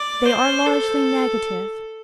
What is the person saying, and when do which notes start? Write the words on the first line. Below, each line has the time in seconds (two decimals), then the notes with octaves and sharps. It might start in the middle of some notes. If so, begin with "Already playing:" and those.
They are largely negative.
Already playing: D5
0.25 C5
0.66 A4